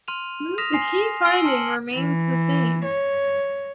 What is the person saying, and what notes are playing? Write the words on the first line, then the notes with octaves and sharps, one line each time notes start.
The key finding remains the same.
C6 F6 D#7 F7
D#6 F6 A#6 B6 E7 F7
G#5 C6 C7
G#5 E6 C7 D7 G7
A5 C6 F6 C#7 F#7
E3
C#5